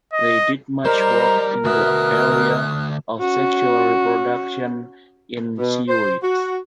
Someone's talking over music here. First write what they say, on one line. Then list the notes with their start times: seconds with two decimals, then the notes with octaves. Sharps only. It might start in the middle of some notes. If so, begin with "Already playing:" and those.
They did much work in the area of sexual reproduction in seaweeds.
0.13 D#5
0.85 G3 A#4 C5 D5 D#5 A#5
1.64 D2 B2 E5 D#6 F6 F#6
3.21 C#4 F#4
5.58 B2
5.88 C5
6.23 F#4